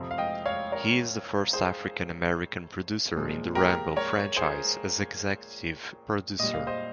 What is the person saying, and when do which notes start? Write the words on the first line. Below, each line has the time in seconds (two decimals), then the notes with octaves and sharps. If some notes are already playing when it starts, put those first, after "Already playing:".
He is the first African American producer in the Rambo franchise as executive producer.
Already playing: F2 C3 F3
0.11 F5
0.18 D#5 G5
0.46 C#5 F5
0.72 A#4 C#5
1.53 G#4 C5
3.15 A#2 F3 G#3
3.55 G4 A#4
3.96 A#4 C#5
4.36 G#4 C5
6.39 A#2 G3 D#5
6.54 F5
6.67 C5 D#5